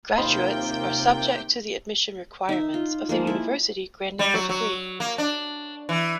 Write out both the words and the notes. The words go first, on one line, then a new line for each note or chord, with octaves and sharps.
Graduates are subject to the admission requirements of the university granting the degree.
D#2 C3 F4 A#4 C5 D#5 G5 B5
D#4 E5
F4
F3 G#3 A#3
E4
G3
F#3
F#3
A#3
D4
E3